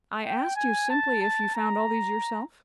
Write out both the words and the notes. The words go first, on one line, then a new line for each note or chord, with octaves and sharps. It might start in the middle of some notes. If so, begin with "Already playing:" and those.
'I asked you, simply, if you found all these yourself?'
G5
G#5
A5
A5
A#5